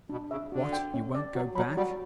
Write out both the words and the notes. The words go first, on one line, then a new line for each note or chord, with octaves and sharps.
"What! you won't go back?"
B2 D4
C#3 E5
D3 F#4
G5
C#4
D5
F#3 F#4
F#3 B5
G3 F#4